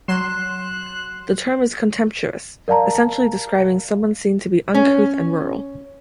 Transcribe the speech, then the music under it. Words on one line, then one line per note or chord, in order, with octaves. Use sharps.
The term is contemptuous, essentially describing someone seen to be uncouth and rural.
F#3 C6 F#6 E7
A#4 D5 F5 A5 A#5
C#4